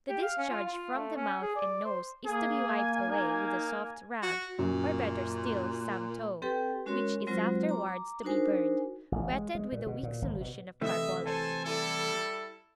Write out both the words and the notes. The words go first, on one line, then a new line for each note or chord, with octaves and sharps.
The discharge from the mouth and nose is to be wiped away with a soft rag--or, better still, some tow, which is afterwards to be burned--wetted with a weak solution of carbolic.
G4
F5
C#4
F4
F4
A3
C#4
G#4
D5
C5
A#3 G#4 G#5
A#3 D#4
F#4
F#2 A#2
C4 G4 A4 B4 G5
G#3 C#4 F#4 A#4 C#5 C6
F#3 G#3 C4 F4 F#4 C5
A#5 D6
D4 D#4 F#4 A#4 C5 G#5
A1
G#3
G#3
A#2
B2
A#2
G#1
B2
C3 E3 A3 D#5 E5
A4 C5 G#5
G3 E4 A4